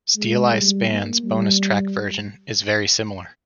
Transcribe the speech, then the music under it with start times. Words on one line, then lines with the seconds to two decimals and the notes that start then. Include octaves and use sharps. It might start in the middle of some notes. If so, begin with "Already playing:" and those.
Steeleye Span's bonus track version is very similar.
0.16 G#3
0.52 G3
0.87 A#3
1.24 G3